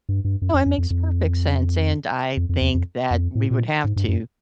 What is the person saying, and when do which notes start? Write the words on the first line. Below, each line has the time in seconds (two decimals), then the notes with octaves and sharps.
Oh, it makes perfect sense, and I think that we would have to.
0.09 G2
0.25 G2
0.42 F#2
0.54 F2
0.66 F2
0.78 F2
0.90 F2
2.37 F2
2.49 F2
2.61 E2
2.74 F2
3.11 F2
3.35 A2
3.51 A#2
3.84 G#2
3.96 G2
4.08 F#2